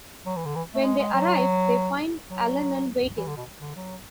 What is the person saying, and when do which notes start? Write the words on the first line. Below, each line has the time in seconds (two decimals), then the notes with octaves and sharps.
When they arrive, they find Allanon waiting.
0.26 F#3
0.36 E3
0.46 D3
0.55 E3
0.75 A3
0.84 G#3
0.99 G#3
1.14 F#3
2.29 F#3
3.17 E3
3.27 D3
3.37 B2
3.61 D3
3.76 F#3